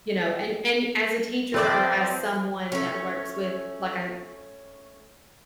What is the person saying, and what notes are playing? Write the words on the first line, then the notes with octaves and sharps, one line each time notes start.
you know? And and as a teacher or as someone that works with like I
F3 A3 C4 F4 A4 B4 D5 D6
A3 C#4